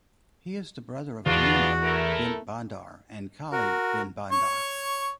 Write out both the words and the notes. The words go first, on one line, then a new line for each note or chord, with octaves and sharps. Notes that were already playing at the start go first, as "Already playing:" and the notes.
He is the brother of Reema bint Bandar and Khalid bin Bandar.
E2 B3 D4 F4 F#4
A3 E4 A#4
F#4 A#4
C#5 C#6